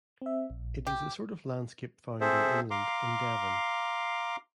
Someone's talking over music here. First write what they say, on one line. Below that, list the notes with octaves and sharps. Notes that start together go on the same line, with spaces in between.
It is the sort of landscape found in England in Devon.
C4 E5
A#1
G4
C4 G#4 A4 C5 E5
F5 A#5 C6 D6